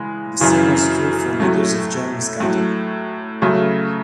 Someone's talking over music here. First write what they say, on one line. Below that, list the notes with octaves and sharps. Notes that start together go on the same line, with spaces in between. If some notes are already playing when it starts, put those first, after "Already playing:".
The same was true for leaders of German Scouting.
Already playing: C#3 E3 G#3
F#2 C#3 E3
A2 F#3 A3
A2 F#3 A3
C#3 F#3 A3